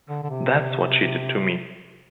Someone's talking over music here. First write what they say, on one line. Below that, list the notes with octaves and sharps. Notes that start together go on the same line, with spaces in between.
That's what she did to me.
D3
D3
C3